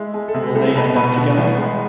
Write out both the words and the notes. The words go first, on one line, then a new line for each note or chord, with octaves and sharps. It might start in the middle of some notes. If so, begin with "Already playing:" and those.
Will they end up together?
Already playing: G#3 E4
G#3
A4
C3 G#4
C2 A4
B2 B4
B2 B4
B2
C2
G#3